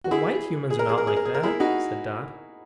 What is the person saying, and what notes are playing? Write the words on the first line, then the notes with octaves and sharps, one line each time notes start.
"But white Humans are not like that," said Dot.
F#4
E4 G#4
G#4
A#4
G#4
A#4
G#4
A#4
G#4
A#4
E4 G#4
D#4 F#4